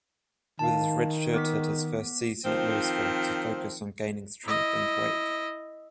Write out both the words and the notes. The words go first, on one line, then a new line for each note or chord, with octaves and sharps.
Withers redshirted his first season at Louisville to focus on gaining strength and weight.
D#3 F5 A5
B3 D6 B6
D#3 F3 C4
E4 D#5